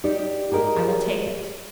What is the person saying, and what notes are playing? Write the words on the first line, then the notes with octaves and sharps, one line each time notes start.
"I will take it."
D#4 G4 D5
G4 G#4 A#4 D#5